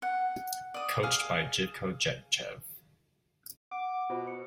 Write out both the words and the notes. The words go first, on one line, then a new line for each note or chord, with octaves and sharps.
Coached by Jivko Jetchev.
F#5
D5 D#6
G#4 F5
F#5 D6
B2 F4 C5
C#7